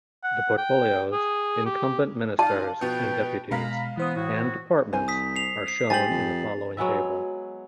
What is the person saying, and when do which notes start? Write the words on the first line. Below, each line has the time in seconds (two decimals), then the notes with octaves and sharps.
The portfolios, incumbent ministers and deputies, and departments are shown in the following table.
0.23 F#5
0.58 G5
1.12 G#4
1.66 G4
2.39 A#2 D#4 F4 D5 F5 A5
2.81 B2 F3 B3 B4 G5
3.51 B2 G#3 F5 A#5 B5
3.97 E3 B3 C5 D#6
4.16 A2 E4 F#4
4.93 C2 C5 G#5
5.08 D#6 B6
5.36 C7 F7
5.68 C7
5.90 G2 G4 C5 G#5 A6 F#7
6.10 F2
6.77 F#3 G#3 B3 E5